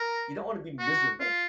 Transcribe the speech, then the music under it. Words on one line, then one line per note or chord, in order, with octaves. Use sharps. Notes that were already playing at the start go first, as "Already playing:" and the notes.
"You don't wanna be miserable."
Already playing: A#4
F#4
F4